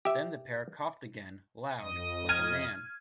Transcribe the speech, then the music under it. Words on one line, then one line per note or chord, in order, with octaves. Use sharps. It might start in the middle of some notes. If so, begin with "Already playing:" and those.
Then the parrot coughed again — loud, like a man.
G4 E5
F2 D#5 D#6
F6 G#6 D#7